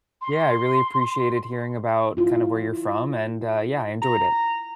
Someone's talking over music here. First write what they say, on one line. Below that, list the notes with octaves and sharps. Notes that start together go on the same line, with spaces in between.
Yeah, I really appreciated hearing about kind of where you're from, and, uh, yeah, I enjoyed it.
C6
E4 F4
A#5